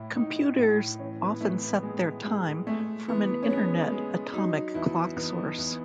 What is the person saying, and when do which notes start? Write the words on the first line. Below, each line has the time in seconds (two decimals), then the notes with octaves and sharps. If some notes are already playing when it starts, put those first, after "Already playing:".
Computers often set their time from an internet atomic clock source.
Already playing: A2 E4
0.16 A2 D#4
0.58 A2
0.99 E3 C#4
1.21 B3
1.41 E3 A3
1.62 B3
1.83 G#3
2.24 G#3
2.67 G#3 A3
3.08 E3 B3
3.42 C#4
3.49 G#3 B3
3.92 G#3
4.33 F#3 D#4
4.74 E2 E4
5.16 E2 B3
5.59 E2